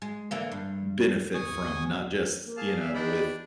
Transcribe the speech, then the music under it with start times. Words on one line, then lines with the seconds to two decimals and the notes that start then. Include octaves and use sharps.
benefit from, not just, you know, with
0.02 G#3
0.31 D3 E3 A#3
0.52 G2
1.35 B1 E2 G#2 G#5 C#6 D#6
2.45 A#3
2.57 G#4 F5 A5
2.80 D5 E5
2.94 D4 D#4 G4 D5 B5